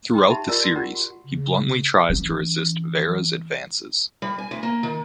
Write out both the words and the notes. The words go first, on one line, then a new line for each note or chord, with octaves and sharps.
Throughout the series, he bluntly tries to resist Vera's advances.
D#4 G5 A#5 C6
D#4 G4 E5 A5 B5
F4 A#4 D5 D#5 A#5 E6
F#4
F4 G4 F#5 A#5
F#4
C#3
E3 C#4
G3
G#5
D2
A#3
D#3